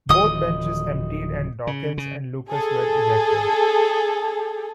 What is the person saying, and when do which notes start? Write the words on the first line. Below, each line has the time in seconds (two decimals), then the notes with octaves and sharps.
Both benches emptied and Dawkins and Lucas were ejected.
0.09 D1 D#3 F3 D#5 D#6
1.67 C#3
1.98 C#3
2.50 G#4 A4